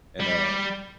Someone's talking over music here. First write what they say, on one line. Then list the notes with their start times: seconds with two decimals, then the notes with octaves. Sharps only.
and, um,
0.20 G3